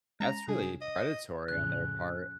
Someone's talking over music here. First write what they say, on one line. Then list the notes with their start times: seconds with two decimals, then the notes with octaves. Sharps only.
That's really predatory on their part.
0.20 G#3 C#4 A#5 G#6
0.48 C3 G3 D4 G#4
0.81 D#5
1.48 F2 A2 C#3 F#6